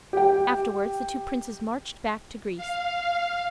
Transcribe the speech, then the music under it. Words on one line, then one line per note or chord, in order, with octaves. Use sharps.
Afterwards the two princes marched back to Greece.
G4 G5
F5